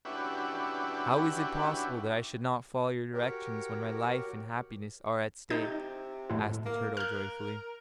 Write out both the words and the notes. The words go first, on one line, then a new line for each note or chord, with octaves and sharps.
'How is it possible that I should not follow your directions when my life and happiness are at stake?' asked the turtle joyfully.
C#4 D4 E4 F#4 G4 B4
F#4 G4 A#4 C#5
C3 D#4 G6
A2 E4
A#3
A#4 F6 F#6